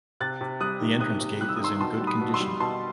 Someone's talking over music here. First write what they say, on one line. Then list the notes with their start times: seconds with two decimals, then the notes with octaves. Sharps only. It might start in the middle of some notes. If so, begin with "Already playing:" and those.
The entrance gate is in good condition.
0.20 C3 F#6 A6
0.41 C3
0.60 G3 D#6 F#6
0.80 D#3
1.00 C3 D#6 F#6
1.20 C3
1.41 G3 F#6
1.49 E6
1.56 D#6
1.60 D#3 C6 E6
1.80 B2 A5 C6
2.00 G3
2.07 B5 D#6
2.21 B2
2.34 C6 E6
2.41 G3
2.60 B2 A5 C6